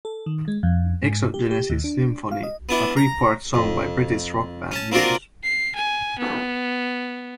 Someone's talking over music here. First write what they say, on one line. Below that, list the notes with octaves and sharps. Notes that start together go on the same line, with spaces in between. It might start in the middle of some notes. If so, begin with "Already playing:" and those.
"Exogenesis Symphony" - a three part song by British rock band Muse.
A4
D#3
G#3
F2
G#2
G4
G4
D#2
D4
F5
D#5
B3 D4 E4
A#5
F2
C#4 A5
A#3 C4 D4 F4 F#4 A#4
C7
G#5
B3